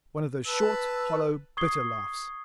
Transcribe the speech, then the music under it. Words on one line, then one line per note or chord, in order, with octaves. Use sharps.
One of those short, hollow, bitter laughs.
B4 A5 E6
C#6 D#6 G#6 C7 G7